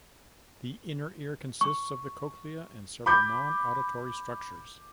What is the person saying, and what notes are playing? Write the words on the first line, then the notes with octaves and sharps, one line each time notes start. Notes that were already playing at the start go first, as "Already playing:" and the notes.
The inner ear consists of the cochlea and several non-auditory structures.
C#6
B5 D6 G6